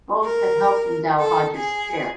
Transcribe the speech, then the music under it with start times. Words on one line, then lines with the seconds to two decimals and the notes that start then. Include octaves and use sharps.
Both had helped endow Hoge's chair.
0.23 A#4
1.18 A4
1.55 G#4